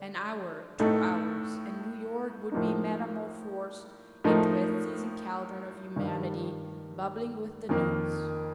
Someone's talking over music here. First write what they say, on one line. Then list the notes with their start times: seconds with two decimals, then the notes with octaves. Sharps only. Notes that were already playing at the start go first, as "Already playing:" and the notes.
An hour, two hours, and New York would be metamorphosed into a seething caldron of humanity bubbling with the news.
Already playing: D3
0.80 A2 A3 D#4 A4
2.52 A2 F3 A#3 D#4
4.24 A2 F3 A3 D#4 A#4
5.96 G2 D#3 G3
7.69 F2 D#3 A#3